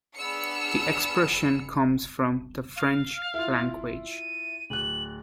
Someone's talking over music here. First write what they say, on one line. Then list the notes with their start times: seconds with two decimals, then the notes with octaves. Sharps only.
The expression comes from the French language.
0.16 B3 D4 G#4 E6 F6 C#7
2.76 F5
3.34 E4 F4
4.11 D#7
4.70 D1 F#6 F#7